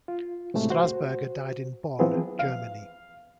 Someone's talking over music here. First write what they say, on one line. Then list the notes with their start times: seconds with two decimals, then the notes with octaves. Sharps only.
Strasburger died in Bonn, Germany.
0.08 F4
0.54 A2 C3 G#3 A3
0.70 F#4 C5
1.99 E3 F3 B3 C4 G#4
2.39 F5